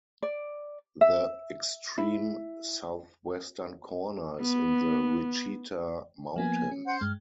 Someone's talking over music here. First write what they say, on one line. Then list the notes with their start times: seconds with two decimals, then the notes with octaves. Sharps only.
The extreme southwestern corner is in the Wichita Mountains.
0.22 D5
1.01 E5
1.98 E4
4.42 B3
6.36 F3 A#3 B3 G#5
6.71 C#4
6.86 C5 F#5
7.01 G2 G#3 F6